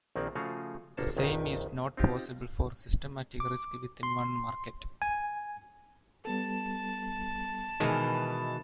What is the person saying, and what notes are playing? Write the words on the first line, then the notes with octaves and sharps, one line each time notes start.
The same is not possible for systematic risk within one market.
A#1 D#3 A#3 C4 D5
C#3 F3 A3 F#4 G#4 F5
G1 A#3 A4 C5 A5
A#1 F2 D#3 B4
C4 D#4 F4 G4
D6
C6
G#5
G3 B3 A4 A5
B2 D#3 E3 G#3 G#5 F6